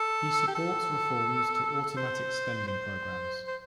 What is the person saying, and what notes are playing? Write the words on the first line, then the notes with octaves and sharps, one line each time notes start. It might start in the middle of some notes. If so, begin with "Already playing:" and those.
He supports reforms to automatic spending programs.
Already playing: A4
G4
A4
C5
C5
C5